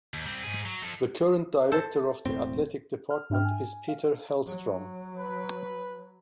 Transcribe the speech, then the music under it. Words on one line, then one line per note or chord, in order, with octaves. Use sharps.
The current director of the athletic department is Peter Hellstrom.
D#2
G3 C4
G#2 G#4
F#3
F3 A4
A4 C5
E1 A2 C4
F6
G#2 D4 E5 G5 F6
G#5
F5
F#3
B4